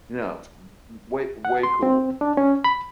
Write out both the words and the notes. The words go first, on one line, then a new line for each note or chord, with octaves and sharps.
Yeah, it's w w way way cool.
F#5
C6
C4
D4
C#4
B5